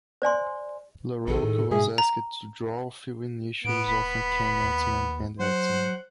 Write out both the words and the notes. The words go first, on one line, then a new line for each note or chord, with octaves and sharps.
Larroca was asked to draw fill-in issues of "Uncanny X-Men" and "X-Men".
C5 D5 G#5 C6
A#1 D#3 G#4 A4
A2
G#2 B2 G#4 E5
A#5
A2 B3 D7
D#1 B5
D#2
F#3 C5 F#5